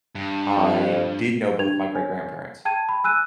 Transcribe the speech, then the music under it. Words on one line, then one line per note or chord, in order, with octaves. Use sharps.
I did know both my great-grandparents,
G2
F2
D4 G#6 F7
C#5 G#5
G5 A5 G#6 D#7
B5
G#5 E6 F#6 D#7